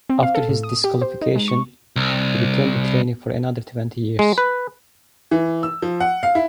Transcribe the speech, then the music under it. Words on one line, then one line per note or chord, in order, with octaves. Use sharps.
After his disqualification he returned to training for another twenty years.
C4
F5
A4
A2
D#6
G4
C5
D#4
G#3
C#6
C2
G#3
B4
E3
E6
F3
F#5
F5
E4